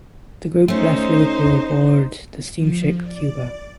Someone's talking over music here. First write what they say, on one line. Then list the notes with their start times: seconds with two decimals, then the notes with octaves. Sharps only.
The group left Liverpool aboard the steamship "Cuba".
0.68 A3 C#4 D#4 C5
2.56 F3
3.04 D5